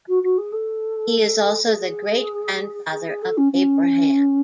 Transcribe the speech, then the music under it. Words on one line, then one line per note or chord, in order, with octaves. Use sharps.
He is also the great-grandfather of Abraham.
F#4
F#4
G#4
A4
A4
G#4
G#4
G#4
A4
C#4
C#4